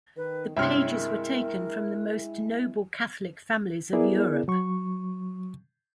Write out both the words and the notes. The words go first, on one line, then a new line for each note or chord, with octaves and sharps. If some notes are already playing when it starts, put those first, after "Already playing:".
The pages were taken from the most noble Catholic families of Europe.
D#3 B4
G2 C3 G#3 E4 C#5 E5 G5 F6
A#4
B3 E4 G#4 A#4 D5
F#3 C#6